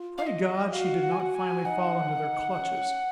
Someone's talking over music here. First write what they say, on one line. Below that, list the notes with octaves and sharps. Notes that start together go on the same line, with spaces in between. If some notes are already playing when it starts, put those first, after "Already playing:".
Pray God she did not finally fall into their clutches!
Already playing: F4
F5
D#5
F#4 F5
F#5
G#5
F#4 F#5
G#5
D#4 F#5
D#4
C#4